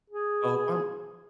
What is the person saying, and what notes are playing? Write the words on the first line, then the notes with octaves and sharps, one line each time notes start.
Oh, if I'm
G#4